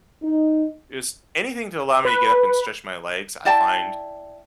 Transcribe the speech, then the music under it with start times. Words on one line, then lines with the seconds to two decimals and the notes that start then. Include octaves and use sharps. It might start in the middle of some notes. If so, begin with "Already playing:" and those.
Just anything to allow me to get up and stretch my legs, I find
0.23 D#4
2.05 B4
3.45 E4 D5 G5 A5